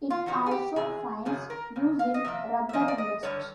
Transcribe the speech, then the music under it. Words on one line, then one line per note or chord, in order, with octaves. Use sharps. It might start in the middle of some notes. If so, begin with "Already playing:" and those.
It also finds use in rubber industry.
F4
E2 C3 F3 F#4
G#4
G4
E2 C3 G#4
F#2 C#3 F#3 G#4
A#4
F#2 C#3
F5
D#5
C3 F3 A#3 E5
E5
C3 F3 A#3 D#5
D5
D#5
G2 D3 G3 C#5